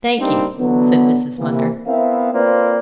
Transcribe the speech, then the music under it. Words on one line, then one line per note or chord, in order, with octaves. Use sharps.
"Thank you," said Mrs. Munger.
G3 A#3 C4 D4 D#4
D3 E3 F#3 B3
C3 E3 A#3
B3 C4 E4 A#4 E5 F5
A#3 C4 F4 B4 C5 D5